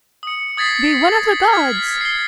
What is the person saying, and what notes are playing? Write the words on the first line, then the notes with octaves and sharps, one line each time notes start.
Be one of the gods.
D#6 C#7
D#6 G#6 A6 B6 C7
G#6 A6
F6 G#6 B6
C7 G7